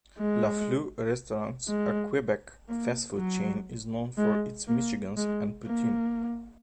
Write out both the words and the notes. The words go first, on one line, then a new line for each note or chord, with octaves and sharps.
Lafleur Restaurants, a Quebec fast food chain, is known for its Michigans and poutine.
G#3
G#3
A#3
F#3
G#3
A#3
G#3
A#3